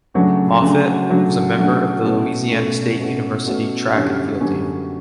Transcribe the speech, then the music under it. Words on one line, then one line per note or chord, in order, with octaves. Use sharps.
Moffitt was a member of the Louisiana State University track and field team.
C#3 F#3 A3 D4 F#4
C#3 F#3 A3 D4 F#4
C#3 F#3 A3 D4 F#4
C#3 F#3 A3 D4 F#4
B2 A3 C#4 F#4 A4
B2 A3 C#4 F#4 A4
B2 A3 C#4 F#4 A4
B2 A3 C#4 F#4 A4
F#2 D3 G3 C#4
F#2 D3 G3 C#4